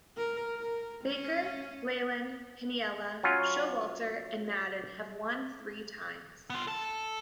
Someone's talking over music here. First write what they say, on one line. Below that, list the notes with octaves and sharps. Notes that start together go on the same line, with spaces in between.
Baker, Leyland, Piniella, Showalter and Maddon have won three times.
A#4
A#4
C#4
F#3 C#4 F4
B3 F4
A4 A5